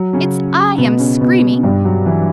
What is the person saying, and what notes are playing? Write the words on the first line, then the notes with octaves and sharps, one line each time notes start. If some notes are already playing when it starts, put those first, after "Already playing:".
It's I am screaming.
Already playing: F#3
C#3 C#4
B2 B3
C#3 C#4
B2 B3
G2 G3
F#3
E3